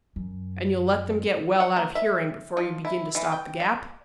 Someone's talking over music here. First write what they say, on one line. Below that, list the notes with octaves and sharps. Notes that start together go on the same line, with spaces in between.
"And you'll let them get well out of hearing before you begin to stop the gap?"
F#2
F#5
A#3
E5
F3
E4
E3
G5
D5